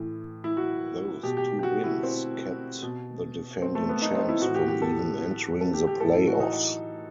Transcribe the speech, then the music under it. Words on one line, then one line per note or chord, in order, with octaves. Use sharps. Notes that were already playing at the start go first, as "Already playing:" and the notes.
Those two wins kept the defending champs from even entering the playoffs.
Already playing: A2 E3
E4
F#4
B2 G4
G4
G4
F#4
E4
C4
B2
C4
A3
B3
D#4
C4
E4
A2 E3 F#4
G4
G4
A4
A4
G4
G4
A2 E3 A4
F#4
D#4